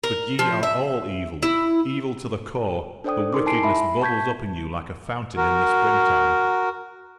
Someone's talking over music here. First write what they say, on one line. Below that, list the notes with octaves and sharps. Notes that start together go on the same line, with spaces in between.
But ye are all evil--evil to the core--the wickedness bubbles up in you like a fountain in the spring-time.
A#4
F3
E5
E4
D4 A4 C5 D5 G5 D#6
D#4 A#4 C6 D6
E4 G#5 A5 C6 C7 D7
E5 B5
A5 C#6 G6 G#6 B6
F#4 A#4